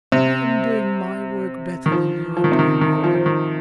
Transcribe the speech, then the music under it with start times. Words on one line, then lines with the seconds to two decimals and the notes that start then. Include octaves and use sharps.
"I am doing my work better than you're doing yours."
0.12 C3
1.86 D#3
1.92 F3
2.37 F3
2.44 D#3
2.52 C3
2.59 D#3
2.81 D#3
3.04 F3
3.15 F3
3.26 D#3